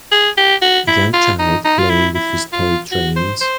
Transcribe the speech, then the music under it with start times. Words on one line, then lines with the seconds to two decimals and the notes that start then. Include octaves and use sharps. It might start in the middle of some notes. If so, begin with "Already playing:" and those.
A young child playing with his toy trains.
0.12 G#4
0.38 G4
0.62 F#4
0.88 E4
1.13 F4
1.39 D#4
1.65 D#4
1.79 F4
1.89 E4
2.15 E4
2.53 F4
2.92 F#4
3.16 C5
3.41 C5